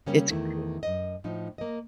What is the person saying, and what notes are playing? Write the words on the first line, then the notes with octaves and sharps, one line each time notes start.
It's great.
C#3 G3 A#3 C#4
E2 D#3 A3 E4
F#2 D#5
A2 F3 D#4
A#3 D#5